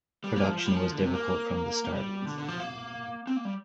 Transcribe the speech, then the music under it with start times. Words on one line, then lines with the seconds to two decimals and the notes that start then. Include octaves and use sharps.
Production was difficult from the start.
0.24 G3
0.36 A#3
0.47 F3
0.58 F3
0.66 G3
0.75 F3
0.92 D3
1.03 C3
1.14 A#3
1.84 A#3
1.92 G3
2.26 D3
2.38 D3
2.48 F3
2.60 A#3
3.27 C4
3.37 A#3
3.45 G3